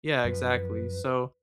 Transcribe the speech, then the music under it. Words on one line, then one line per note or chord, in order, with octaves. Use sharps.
yeah, exactly. So,
F#2 F3 B4